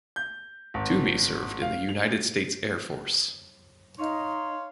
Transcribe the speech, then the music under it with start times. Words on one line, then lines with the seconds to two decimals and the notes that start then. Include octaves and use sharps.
Toomey served in the United States Air Force.
0.16 G6
0.74 G#1
1.62 F5
1.89 F7
3.98 D#4 C#5 F5 C6